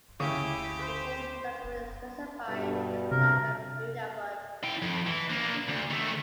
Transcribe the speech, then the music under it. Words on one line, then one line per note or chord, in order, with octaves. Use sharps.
The same document specified the flag of Nunavut.
D2 C#3 E4 G4
C5
G2 B2
C3 A#4
E4 G5
F2
E3
A#3 D4
D2
D#3 A3